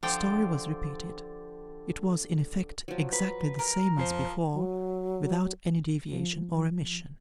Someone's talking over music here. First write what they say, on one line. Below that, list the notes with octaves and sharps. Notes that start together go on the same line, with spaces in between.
The story was repeated; it was, in effect, exactly the same as before, without any deviation or omission.
D3 F3 G4 D5 G5
F3 F#3
B4 A#5
A#4
F2 F3 G#4 C5
F#3
F3